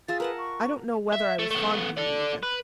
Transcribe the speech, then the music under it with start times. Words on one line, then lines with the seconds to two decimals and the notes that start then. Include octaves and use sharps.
I don't know whether I was fond of you even.
0.08 F4 G#4 E5 A6
0.20 A#4 B4 F#5 A5
0.38 C#6
1.13 E5
1.39 A3
1.51 A3 B3
1.97 A4 D5
2.43 B4